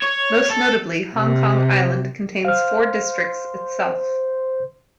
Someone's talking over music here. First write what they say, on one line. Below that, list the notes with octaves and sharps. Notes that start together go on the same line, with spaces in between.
Most notably, Hong Kong Island contains four districts itself.
C#5
A4
C3
C5 F5 F6